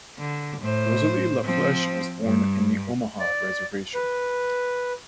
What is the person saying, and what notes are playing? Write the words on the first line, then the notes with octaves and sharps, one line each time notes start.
Rosalie La Flesche was born in the Omaha reservation.
D3
A2 C5
F3 C4
G2
D5
B4